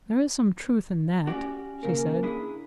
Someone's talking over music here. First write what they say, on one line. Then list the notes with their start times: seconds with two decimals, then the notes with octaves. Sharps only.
"There is some truth in that," she said.
1.27 C#4 F#4 G4 D5
1.83 C#3 A#3 A#4
2.23 D4 E4 G#4